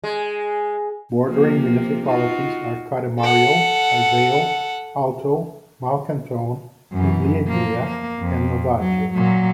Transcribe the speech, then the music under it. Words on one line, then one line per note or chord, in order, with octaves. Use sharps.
Bordering municipalities are Cademario, Iseo, Alto Malcantone, Miglieglia and Novaggio.
G#3
C3 F3 A#3
D#4 F4 F#4
A4 F#5
F#2 E3
F3 A#3
A#3
F2
F#3
A#2 F#3